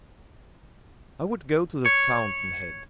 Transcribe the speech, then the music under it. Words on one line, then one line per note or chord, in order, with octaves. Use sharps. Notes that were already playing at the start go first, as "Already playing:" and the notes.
I would go to the fountain-head.
C#5